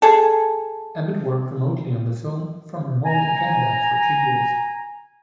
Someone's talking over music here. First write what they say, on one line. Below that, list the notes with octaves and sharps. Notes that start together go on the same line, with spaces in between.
Abbott worked remotely on the film from her home in Canada for two years.
G#4 A4
G#5 A#5